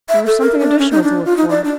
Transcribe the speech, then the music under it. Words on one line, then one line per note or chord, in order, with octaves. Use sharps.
There was something additional to look for.
E5
A4
A#4
D4
C#4
D#4
D4
F4
D#4
D5
D4